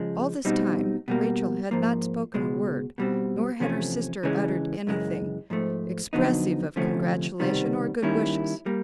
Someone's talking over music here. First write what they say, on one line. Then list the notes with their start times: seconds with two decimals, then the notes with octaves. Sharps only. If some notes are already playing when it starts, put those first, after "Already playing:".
All this time Rachel had not spoken a word, nor had her sister uttered anything expressive of congratulation or good wishes.
Already playing: C#3 F3 G#3
0.45 B2 G3 C4 D#4
1.08 B2 G3 A#3
1.71 G#2 F3 A#3
2.34 C#2 B2 G#3
2.98 B2 G3 C4
3.60 E2 C3 F3 A3 C#4
4.23 C#3 E3 G#3 C#4
4.87 F#2 C#3 E3 G#3
5.50 G#2 F3 A3
6.13 F2 D3 F#3 B3 D#4
6.76 D2 C3 F3 A3 C#4
7.40 C#2 C3 D#3 G3 B3
8.02 D#3 G3 A#3 C#4 E4
8.66 G3 A#3